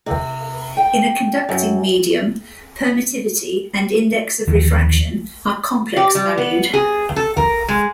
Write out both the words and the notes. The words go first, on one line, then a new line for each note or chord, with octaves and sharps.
In a conducting medium, permittivity and index of refraction are complex-valued.
C3
G5
F#2
D#2 E3 F3
G4
G3
B3
G#4
A4
A#4
G#3